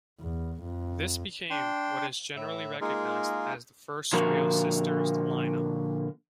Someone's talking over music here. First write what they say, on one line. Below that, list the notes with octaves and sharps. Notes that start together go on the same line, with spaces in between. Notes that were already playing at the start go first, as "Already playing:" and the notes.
This became what is generally recognised as the first real Sisters line-up.
E2
F2
D4 G5 C6
A2 E5
G#3 A#3 D#4 F4 G#4 A#4
A#2 D3 F3 F#4 A#4